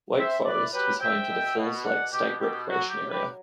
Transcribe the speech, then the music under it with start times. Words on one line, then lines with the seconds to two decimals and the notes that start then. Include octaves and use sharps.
Wake Forest is home to the Falls Lake State Recreation Area.
0.17 C4 C5 E5
0.45 E4 B4 D5
0.73 F#3 G4 B4
1.00 C4 E5 G5
1.29 B2
1.57 B2
1.84 B2 D5 F#5
2.13 B2 G4
2.41 B2 G4
2.68 F#3 F#4
2.90 G4
2.97 F#3
3.10 G4 B4
3.24 F#3